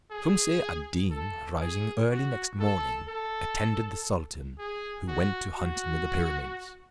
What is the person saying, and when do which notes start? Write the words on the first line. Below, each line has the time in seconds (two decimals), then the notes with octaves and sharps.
Shumse ad Deen rising early next morning, attended the sultan, who went to hunt near the pyramids.
0.11 G#4
1.11 A4
1.61 G#4
2.10 F#4
2.60 A4
3.09 A4
4.58 G#4
5.08 F#4
5.58 F#4